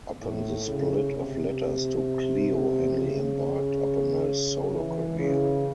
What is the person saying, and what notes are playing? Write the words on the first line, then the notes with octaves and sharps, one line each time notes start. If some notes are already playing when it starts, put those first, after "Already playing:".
Upon the split of Letters to Cleo, Hanley embarked upon a solo career.
A2
C#3
C3
C#3
E3
C#3